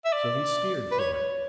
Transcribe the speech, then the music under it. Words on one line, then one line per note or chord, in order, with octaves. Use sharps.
So he steered for it.
E5
D5
B4
C#5
C#5